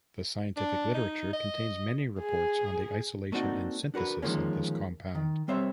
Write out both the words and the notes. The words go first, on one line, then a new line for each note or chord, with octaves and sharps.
The scientific literature contains many reports on the isolation and synthesis of this compound.
D4
D#4
D#5
G#4
A3 A#3 C4 D4 D#4 F#4
D4 F#4 A#4 B4
D3 D#3 F3 G#3 A#3 C#4
D#3
G3 C4 C5 C#5 E5